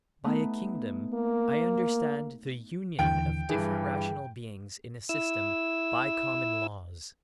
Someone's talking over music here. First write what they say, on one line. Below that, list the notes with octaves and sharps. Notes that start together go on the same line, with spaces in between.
By a kingdom I understand the union of different rational beings in a system by common laws.
A3 B3 D#4
A#3
D#2 D3 E3 G5
G2 E3 G#4
E4 E6